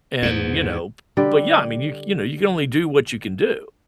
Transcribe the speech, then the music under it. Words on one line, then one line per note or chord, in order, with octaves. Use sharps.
and, you know but, yeah, I mean, you c you know, you can only do what you can do.
E2 G#2
D3 G3 G4 D5